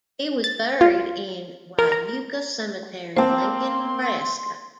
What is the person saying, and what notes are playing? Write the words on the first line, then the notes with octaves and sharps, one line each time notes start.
He was buried in Wyuka Cemetery, Lincoln, Nebraska.
A6
F4
A#4
A#5
A#3 C4 C5 A5 C6